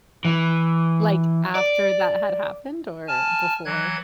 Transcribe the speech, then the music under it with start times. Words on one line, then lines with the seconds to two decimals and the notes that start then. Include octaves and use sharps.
like, after that had happened or before?
0.25 E3
1.55 D5
3.08 G#5 A5 F6
3.65 E3 F#3 F#6 G#6